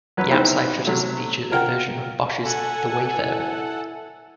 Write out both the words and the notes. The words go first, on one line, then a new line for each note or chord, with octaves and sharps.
The outside shutters feature a version of Bosch's "The Wayfarer".
F#2 F#3 B4
B3 D#4 E4 C5 G5
C3 F#3 A3
F4 A#4 F#5 G5
A4 F#5 G#5
E4